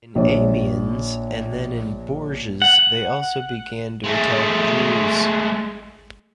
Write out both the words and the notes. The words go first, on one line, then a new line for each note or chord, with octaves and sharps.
In Amiens, and then in Bourges, they also began to attack Jews.
A#1 C#5
F#5
G#3 A3